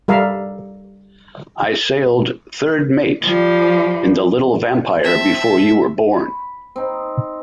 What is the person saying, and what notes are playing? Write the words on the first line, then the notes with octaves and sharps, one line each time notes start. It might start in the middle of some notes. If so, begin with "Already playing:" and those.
I sailed third mate in the little Vampire before you were born.
G3 A4 A#4 E5 F5
F3 G3
C4 E5 A5
B5
C4 D#4